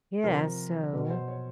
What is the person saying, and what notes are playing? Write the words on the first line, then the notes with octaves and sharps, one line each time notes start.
Yeah, so
C3 F3 A#4
B2 F#3 B4
C5
C#5